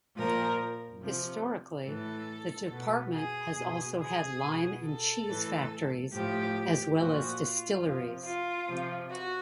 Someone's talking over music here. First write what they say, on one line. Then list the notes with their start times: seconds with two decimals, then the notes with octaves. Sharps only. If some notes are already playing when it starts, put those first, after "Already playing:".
Historically, the Department has also had lime and cheese factories, as well as distilleries.
0.17 A#2 F3 A#4
1.02 C3 F3
1.87 A2 E3 A4
2.72 B2
3.14 G#4
3.57 B2
4.00 G#4
4.42 B2
4.85 A4
5.27 A2 E3
6.12 A2 F3 G4
6.97 A#2 F3 F#4
7.40 F4
7.82 C3 F3
8.25 F4
8.68 C3 F3
9.10 F#4